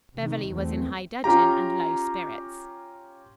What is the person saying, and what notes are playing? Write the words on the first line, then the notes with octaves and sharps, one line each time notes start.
Beverly was in high dudgeon and low spirits.
C3 D#3
E2 A3 C4
C#4 F4 G4 A#5